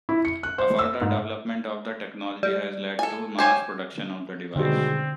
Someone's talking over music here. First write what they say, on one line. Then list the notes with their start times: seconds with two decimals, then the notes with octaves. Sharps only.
A further development of the technology has led to mass production of the device.
0.09 E4
0.25 C#7
0.43 F#6
0.58 C5
0.79 E6
1.01 G#2
2.43 G3
2.99 A4 G#5
3.39 G4 C5 C#5 G#5
4.56 B2 D3 D#3 G3 G#3 C4